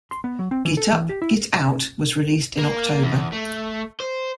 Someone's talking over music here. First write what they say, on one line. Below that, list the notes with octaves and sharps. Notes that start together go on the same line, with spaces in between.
"Git Up, Git Out" was released in October.
C6
B3
F#3
C4
E3
A4
E3
G4
E4
A#3
E2
A3
C5